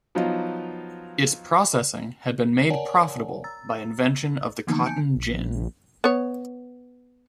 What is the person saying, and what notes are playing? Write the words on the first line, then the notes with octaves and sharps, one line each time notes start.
Its processing had been made profitable by invention of the cotton gin.
F3 F#3 B3 D#4 F4
A#4 C#5 D5 F#5 G#5 A5
A#5 E6 A6
D3 E3 F3 A#3 B3 D#4
G#5 A5 G6 C#7 D7
A#1
B3 C#5